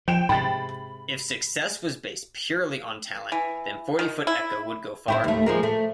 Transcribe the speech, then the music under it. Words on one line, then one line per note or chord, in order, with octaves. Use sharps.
If success was based purely on talent, then Forty Foot Echo would go far.
F3 G5 E7
G#2 C3 G5 B5 A6
E3
D#3
E4
C4 E4 G4
D#2 A3
F3 G#3 A#3
A3